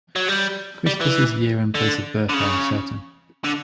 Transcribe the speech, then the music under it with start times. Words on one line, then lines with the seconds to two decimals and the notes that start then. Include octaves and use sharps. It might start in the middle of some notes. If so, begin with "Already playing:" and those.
Crispus' year and place of birth are uncertain.
0.16 F#3
0.28 G3
0.87 G3
1.01 E3
1.74 D3
2.29 D3
2.33 C#3
3.44 D3